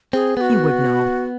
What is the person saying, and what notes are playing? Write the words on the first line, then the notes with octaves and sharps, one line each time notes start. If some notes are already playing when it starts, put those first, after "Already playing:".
He would know.
C4 G#4
B3 F#4 G#4